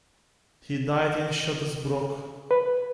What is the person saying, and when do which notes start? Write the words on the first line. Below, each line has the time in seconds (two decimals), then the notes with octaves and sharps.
He died in Shottesbrooke.
2.51 B4